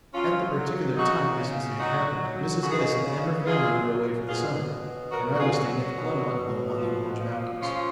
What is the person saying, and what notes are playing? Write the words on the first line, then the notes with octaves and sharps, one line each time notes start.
At the particular time this incident happened, Mrs. Edison and her family were away for the summer, and I was staying at the Glenmont home on the Orange Mountains.
F#3 C#4 F4
F#3
C#3 D#4 F#4
C#3
F#3 D#4 F#4
F#3
C#3 F#4
G#4
D#4 F#4
C#3
F#3 F4 G#4
F#3
B2 F4 G#4
B2
F#3 F#4 A#4
F#4
F4 G#4
F#3
B2
B2
F3
F3
C#3 C#4 F4